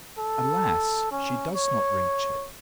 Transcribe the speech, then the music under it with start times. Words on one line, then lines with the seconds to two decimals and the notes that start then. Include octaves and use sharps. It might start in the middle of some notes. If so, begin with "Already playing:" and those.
Alas, she does not reach it!
0.18 A4
1.11 C#4
1.56 C#5